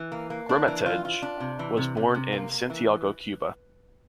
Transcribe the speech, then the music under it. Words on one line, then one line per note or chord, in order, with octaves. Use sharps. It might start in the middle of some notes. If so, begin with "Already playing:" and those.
Gramatges was born in Santiago, Cuba.
Already playing: E3
A#3
A#3
D4
E3
F4
F4
D4
C3
E3
C3
C3
C3
A#3
A#3
E3